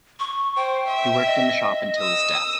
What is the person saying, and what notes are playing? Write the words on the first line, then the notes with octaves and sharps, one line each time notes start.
He worked in the shop until his death.
C#6
C5 G5
E5
D#5
D#6 E6